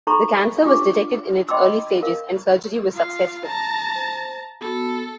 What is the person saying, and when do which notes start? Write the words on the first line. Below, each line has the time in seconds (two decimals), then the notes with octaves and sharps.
The cancer was detected in its early stages, and surgery was successful.
0.07 D#4 A4 A#5 B5 C#6
0.63 D4 F4 G4 D6
1.49 D#5 G5 B5 C6 D6 E6
2.02 A#4 F5
2.92 F4 F5
3.46 A5 A#5
3.95 C5
4.61 B3 F#4 A4